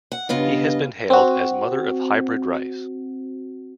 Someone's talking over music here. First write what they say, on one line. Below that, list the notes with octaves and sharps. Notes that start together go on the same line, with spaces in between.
He has been hailed as "Mother of Hybrid Rice".
F#5
G2 C#3 B3 F4 D#5
C4 F#4